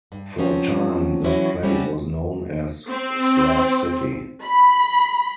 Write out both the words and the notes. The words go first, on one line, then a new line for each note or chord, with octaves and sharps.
For a time this place was known as "Slab City".
G2
F3 F#3 C4 C#4
D3 E3 F#3 C#4 E4 F#4
G3 A3 C4 C#4 F#4
C4
B5